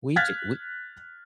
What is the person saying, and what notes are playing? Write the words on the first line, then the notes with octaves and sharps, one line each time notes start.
We ju we
F6 F#6 G#6 A6 B6